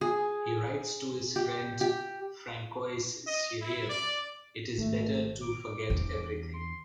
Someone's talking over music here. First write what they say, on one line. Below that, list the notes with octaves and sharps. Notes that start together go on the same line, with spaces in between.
He writes to his friend Francois Seurel: "It is better to forget everything".
G#4
G4
G4
D#5
E4
D5
G#1 A3
D6
E2 D4
C6